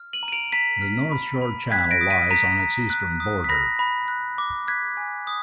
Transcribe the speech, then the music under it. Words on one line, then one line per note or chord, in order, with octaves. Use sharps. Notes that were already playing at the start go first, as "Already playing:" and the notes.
The North Shore Channel lies on its eastern border.
Already playing: F6
D#7 F#7
A#5
D#7
D7 F7
A#5 B6 D#7
F6
B5
B5
F#6 G#6 B6
A#6 D7
D#6
B6 D#7
A#5 B6 D#7
A#5
F#6
D#6
B6
B5 A#6
B5
F#6
D6
F#6 G#6 B6
G#5
D#6